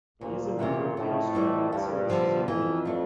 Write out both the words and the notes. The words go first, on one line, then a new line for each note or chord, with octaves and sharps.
He is a member of the Australian Services Union.
D2 G2 A#2
C3 E3 A3 E4
F2 A2 C3
E3 G3 D4
D2 G2
D3 F3
F2 E3
A3 D4